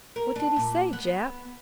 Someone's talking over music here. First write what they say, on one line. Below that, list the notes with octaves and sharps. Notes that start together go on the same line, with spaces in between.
"What did he say, Jap?"
A#4
D4
A#2
B3